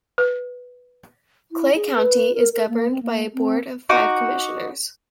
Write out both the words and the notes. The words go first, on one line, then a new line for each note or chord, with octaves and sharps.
Clay County is governed by a board of five commissioners.
B4
E4
G#4
B4
A#4
A#4
A#3
C4
A#3
C4
D#4 F#4 F#5 D6